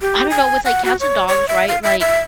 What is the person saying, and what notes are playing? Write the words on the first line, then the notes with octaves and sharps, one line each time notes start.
I don't know with, like, cats and dogs, right, like,
G4
G#5
F#5
F#4
C#5
C#5
E5
F5
E5
E5